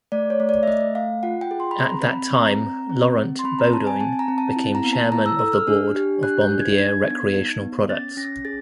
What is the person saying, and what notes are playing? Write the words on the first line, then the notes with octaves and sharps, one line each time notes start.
At that time Laurent Beaudoin became chairman of the board of Bombardier Recreational Products.
A3 D5
C#5
A3
D5
E5
A3 D#5
A3 F5
F4 F#5
G5
G#4
C6
B5
C4 A#5
C4 B5
C4 A#5
C4
C4
C4
C6
C4 B5
A#5
C4 A5
G#5
C4 A5
A#5
C4
A5
E4
A#5
B3
A5
E4 A#5
E6
A4 E6
F6
D4
G4
D4 F#6
G6
D4
G#6
D#4 G#6
B3
D#4
B3
C#4 A6
C#4 A#6
G#4 A6